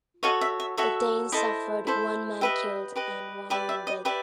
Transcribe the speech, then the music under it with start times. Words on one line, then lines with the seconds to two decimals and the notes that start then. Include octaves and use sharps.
The Danes suffered one man killed and one wounded.
0.23 F#4 A4 C#5 D#5 F5
0.41 E5
0.60 E5
0.77 F#4 A4 C#5 E5
1.32 E4 A4 C5 D#5
1.87 E4 A4 C5
2.41 G4 B4 D#5 E5
2.96 G4 B4 D#5
3.50 G4 B4 D5 E5
3.69 E5
3.87 D#5
4.05 G4 B4 D5 E5